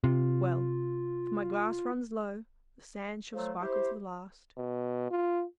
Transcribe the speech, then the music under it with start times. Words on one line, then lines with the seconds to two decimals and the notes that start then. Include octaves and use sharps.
Well! if my glass runs low, the sands shall sparkle to the last.
0.04 C3 F4
3.33 F3 F#3 A3 A4 C5
3.60 E4 G4 C5
4.57 B2
5.11 F4